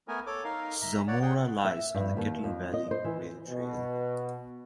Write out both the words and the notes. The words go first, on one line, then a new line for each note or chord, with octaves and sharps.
Zamora lies on the Kettle Valley Rail Trail.
A3 B3 A#4 G#5
A4 C#5 D6
D#4 A#4 F5
E5 A#5
C#5 D5 F#5
G#4 F#5 G5
E5
G2
D#2
F2
D#5
C5
E3
B2